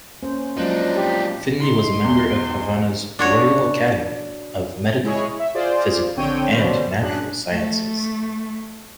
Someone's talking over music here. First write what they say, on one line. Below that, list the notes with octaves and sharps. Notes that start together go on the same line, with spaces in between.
Finlay was a member of Havana's Royal Academy of Medical, Physical and Natural Sciences.
A#3 C#4 C5
F3 F#3 G#3 A#3 D4 D#4
G4
D#4 C6
E2
D4 F#4 C#5
G#3 E4 G#4 C#5
E5
F4 G#4 C5 D5
A#1 D3 C4 C#5 G5 D#7
B2 D3 G3 C#4 C5
F#2 D4 G#4 F#6
A3